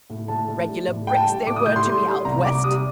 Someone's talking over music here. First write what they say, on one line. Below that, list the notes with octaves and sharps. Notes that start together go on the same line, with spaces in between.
Regular bricks they were to me out West!
A2
A2 A5
A2
G3
A2
A2 G5
A5
G3
A2 D6
D#6
A2 G6
C6
G3
G3
C2 A#5
C2 D6
G3 D#6